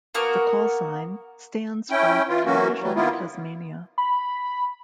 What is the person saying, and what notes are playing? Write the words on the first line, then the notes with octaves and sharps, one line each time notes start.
The callsign stands for "TeleVision Tasmania".
A#3 B3 F#4 A#4
C#4 E4 G5
E3 F4
E3 F#3 A#3 C#4 F#4
E3 F#3 G3
D#3 A#3 B3 E4 F4
B5